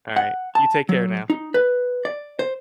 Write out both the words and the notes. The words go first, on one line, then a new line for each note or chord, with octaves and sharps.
Alright. You take care now.
F#5
A5
F#3
D#4
B4
D5
C5